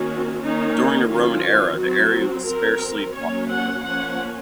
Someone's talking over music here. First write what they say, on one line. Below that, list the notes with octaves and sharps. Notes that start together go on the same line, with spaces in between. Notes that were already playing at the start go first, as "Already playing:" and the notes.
During the Roman era, the area was sparsely populated.
Already playing: D#3 A#3 C#4 F#4
D#3 A#3 C#4 D#4
D#3 F#3 C#4 F4
F#3 C4 F#4
F#3 C4 A#4
F#3 A#3 C#4 C#5
F#5
F3 A#3 C#4 F#5